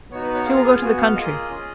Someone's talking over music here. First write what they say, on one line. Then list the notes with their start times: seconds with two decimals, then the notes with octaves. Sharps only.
"She will go to the country."
0.10 B3 D#4 F#4 C#5
0.23 B4
0.34 C#5
0.45 B3 F4 G#4 F5
0.56 A#5
0.64 G#5
0.81 B3 F#4 G#5
0.98 F5
1.15 A#3 F4 G#4 D#5
1.50 C#4 F4 G#4